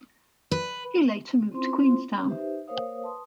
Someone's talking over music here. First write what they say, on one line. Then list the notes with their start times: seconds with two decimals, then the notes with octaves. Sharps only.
He later moved to Queenstown.
0.51 B4
1.52 C4 C#4 E4 F4 C5 C6
2.27 D#4 G4 B4 C5 E5
2.68 A#3 A#4 C5 C#5 F5 D#6
3.02 B4 A5 C6 D#6